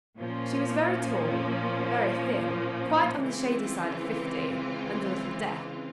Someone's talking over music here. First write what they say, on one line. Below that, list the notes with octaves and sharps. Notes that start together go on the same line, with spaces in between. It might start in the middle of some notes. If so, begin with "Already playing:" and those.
She was very tall, very thin, quite on the shady side of fifty, and a little deaf.
A#2 F3 A#3 C#4
C#3 E3 G#3 C4 F4